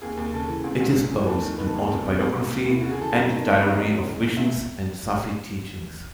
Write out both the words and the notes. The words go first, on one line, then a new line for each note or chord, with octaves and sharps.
It is both an autobiography and a diary of visions and Sufi teachings.
D#2 G#4
D#2
C#3 A4
E3
C#2 G#4
C#2
C#3
E3
B4
D#2 A4
D#3
D#3 B4
A4
D#2 G#4
C#2 A4
B2
B2
C#2
D#2
D#2 E4
C#3 F#4
G#4
E3 A4
F#2 B4
D#3
A4
D#3
B4
F#2
C#5
E2 D#5
E2
C#3
E3
C#2 E5